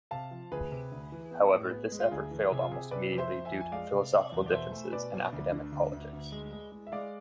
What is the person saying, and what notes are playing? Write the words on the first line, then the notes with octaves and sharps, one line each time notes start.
However, this effort failed almost immediately due to philosophical differences and academic politics.
C3 F5 A5
F3
D2 G#4 B4
C3
D2
E3
B3
A2
B3
G#3
F4
D2 G#4
E3
C3 G#4
F4
C3 G#4
C3 B4 D5
F2
C5 E5
F2
E5 G#5
F2
G#5
G#3 D5 F5
C3
C3
E2
D5
B2 C5 E5
A3
B2 B4 D5
B2
D2
D3
D2
D2
D2
G#3
G#3
G#3
E5
G#3 D5 F5